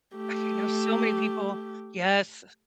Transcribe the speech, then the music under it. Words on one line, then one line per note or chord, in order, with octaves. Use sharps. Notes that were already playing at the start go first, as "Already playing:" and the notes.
okay I know so many people yes.
A3 G4